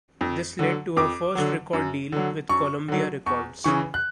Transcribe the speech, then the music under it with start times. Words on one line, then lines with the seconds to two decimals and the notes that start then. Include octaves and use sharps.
This led to her first record deal with Columbia Records.
0.21 F2
0.59 D3 F#3
0.97 F2 D6
1.35 D3 F#3
1.73 F#2
2.12 D3 F#3
2.49 F#2 C#6
2.88 D3 F#3
3.26 E2 C#6
3.64 C#3 E3 C#6
3.94 F#6